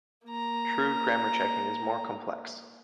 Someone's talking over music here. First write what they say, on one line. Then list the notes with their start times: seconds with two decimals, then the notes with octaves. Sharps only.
True grammar checking is more complex.
0.25 A#3 A#5